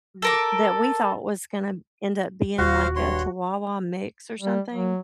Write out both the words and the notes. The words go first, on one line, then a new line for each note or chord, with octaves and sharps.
th that we thought was gonna end up being like a chihuahua mix or something,
A4 A#4 D6
D#1 D#2 F4 F#4 C5 F5
G2 C#5 C6
G3
F#3